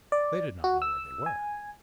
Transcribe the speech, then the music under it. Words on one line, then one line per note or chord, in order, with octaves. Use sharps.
They did not know where they were.
D5
F#4
E6
G#5